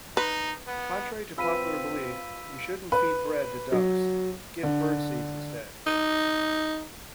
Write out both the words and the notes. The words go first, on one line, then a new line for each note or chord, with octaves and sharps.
Contrary to popular belief, you shouldn't feed bread to ducks. Give birdseeds instead.
D#4 B4
B3
C4 F4 B4 F5 B5 E6 B6 D#7
B4
F#3
D3
D#4